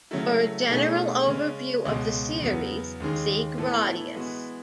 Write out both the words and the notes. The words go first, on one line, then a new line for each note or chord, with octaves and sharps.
For a general overview of the series, see "Gradius".
C#3 F#3 A3 E4
B2 A3 D#4 G#4 C#5
C#3 G#3 C#4
C#2 B2 G#3 C#4
E2 C#3 F#3 B3
D#2 C#3 G#3 D#4 G#4
A2 E3 B3 E4 A4
E3 G#3 B3 F#4